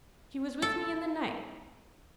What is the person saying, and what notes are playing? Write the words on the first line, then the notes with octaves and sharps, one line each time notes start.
She was with me in the night.
A4